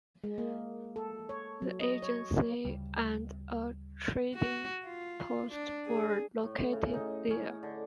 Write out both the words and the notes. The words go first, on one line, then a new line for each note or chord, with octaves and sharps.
The agency and a trading post were located there.
G#3
A#3
A4
C#5
F#3
D#5
C#5
A#3
D2 C#3 G3
F#4
F4
D4
G#4
A2
C#3
D#4
C#4
D3